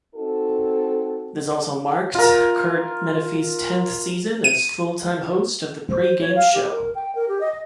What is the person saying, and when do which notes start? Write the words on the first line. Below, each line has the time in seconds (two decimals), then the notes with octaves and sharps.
This also marked Curt Menefee's tenth season as full-time host of the pregame show.
0.14 C4 D#4 F#4 A4
2.15 F4 A#4
4.44 D#7
5.90 C5
6.21 C#5
6.35 F5
6.54 G4
6.71 A#4
6.95 G5
7.15 A#4
7.28 G4
7.41 D#5